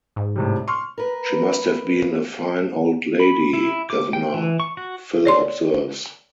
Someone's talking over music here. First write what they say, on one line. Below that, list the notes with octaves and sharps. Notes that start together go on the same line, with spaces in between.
"She must have been a fine old lady, guv'nor," Phil observes.
G#2
A2 C3 G3
C6 C#6 F6
A#4 B4
B5
E4
D6
G5
E3
C#6
F#4
C#5 D5 C6